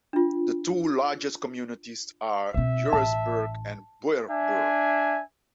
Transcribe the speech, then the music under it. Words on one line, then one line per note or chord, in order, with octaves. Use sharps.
The two largest communities are Eurasburg and Beuerberg.
D4 F4
B2 C4 E5
A1 A5
D4 E5 G#5